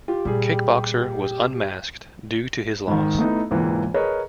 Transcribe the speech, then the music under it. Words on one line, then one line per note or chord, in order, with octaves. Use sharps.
Kick Boxer was unmasked due to his loss.
F4 G4
A#2 G3 G#4
G#2 D#3
A3 B3 D#4 E4
E1 C#2 G#2 E3 A#3
G#4 A#4 B4 C#5 D#5